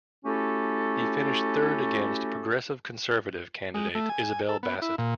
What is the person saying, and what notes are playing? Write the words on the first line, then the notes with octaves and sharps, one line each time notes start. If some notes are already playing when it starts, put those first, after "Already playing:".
He finished third against Progressive Conservative candidate Isabel Bassett.
A3 C#4 E4 F#4 G4 A4
G#3
A3
G#5
A4
B3
E4
A#2